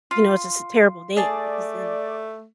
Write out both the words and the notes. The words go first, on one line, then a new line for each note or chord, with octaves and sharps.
you know, it's just a terrible day because then
F4
A3 G#4 D5 A5